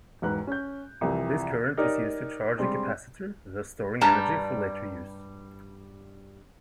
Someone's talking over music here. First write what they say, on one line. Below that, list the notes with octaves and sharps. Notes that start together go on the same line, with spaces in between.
This current is used to charge a capacitor, thus storing energy for later use.
E1 G#2 B4 F#6
C#4 G6
C2 F2 C3 E3
D#4 G4 A#4 C#5 D5
G3 G#3 C4 D4
G2 G3 A5 A#5